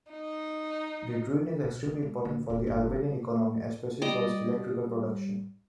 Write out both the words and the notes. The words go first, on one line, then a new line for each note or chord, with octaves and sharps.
The Drin is extremely important for the Albanian economy, especially for its electrical production.
D#4
B2
C#4
G#3
D3
D#1
G1
G3
G3 D5 D#5